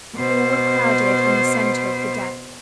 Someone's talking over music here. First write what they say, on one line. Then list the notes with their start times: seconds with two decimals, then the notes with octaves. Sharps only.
All were crowded on the centre of the deck.
0.15 B2 C5